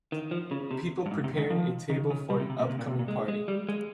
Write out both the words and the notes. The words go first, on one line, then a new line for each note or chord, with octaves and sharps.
People preparing a table for an upcoming party.
D#3
F3
C#3
C3
G2
G#2
C3
D#3
F3
D#3
C#3
G3
C3
C3
A#2
C3
A#2
C3
A#2
G#3
G#3
G3
G#3